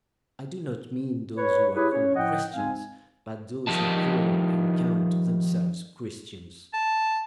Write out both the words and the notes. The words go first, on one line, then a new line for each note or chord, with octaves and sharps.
I do not mean those who are called Christians, but those who call and count themselves Christians.
B4 C#5
E4 G4 G#4 B4 C#5
C#4 C#5
A2 F3 D#5 F#5 G5
G#2 G#3 C4 F5 G#5
D#3 F3 D#4 G4 D#5 A5
A5